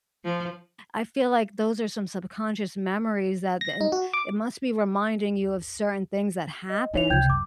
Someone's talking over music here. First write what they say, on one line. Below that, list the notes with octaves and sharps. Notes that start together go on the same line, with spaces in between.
I feel like those are some subconscious memories that then it must be reminding you of certain things that happened
F3
A#6
D#4
F#4
D6
D#5
C#4 D#4 F4 C#5 F7
C#2 C3 G5 G6 G#6
F#2 D6